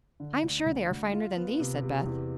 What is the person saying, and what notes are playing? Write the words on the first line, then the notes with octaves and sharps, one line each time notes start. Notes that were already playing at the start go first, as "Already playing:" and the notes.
"I'm sure they are finer than these," said Beth.
D3
D2
D2
D2
F4
B3
C3
C3
E2